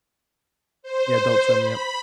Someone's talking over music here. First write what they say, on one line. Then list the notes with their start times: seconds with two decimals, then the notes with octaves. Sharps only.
Yeah, Adult Swim, yep.
0.82 C5
1.58 B5